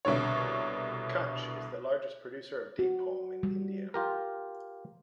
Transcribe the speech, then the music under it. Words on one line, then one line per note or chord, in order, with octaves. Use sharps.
Kutch is the largest producer of date palm in India.
C2 B2 D3 C#5
F#4
G3
F4 G4 A#4